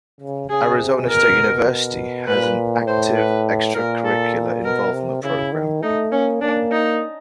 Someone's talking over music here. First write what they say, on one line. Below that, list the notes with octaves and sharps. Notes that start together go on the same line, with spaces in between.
Arizona State University has an active extracurricular involvement program.
C#3
C#3 G#4
C3
B2 A#4
A#2 B4
A2 C5
B4
A#2 A#4
A4
B2 A#4
C3
C#3 E4
D#3
A3 D#4
A#3 C#4
A#3 D4
D#4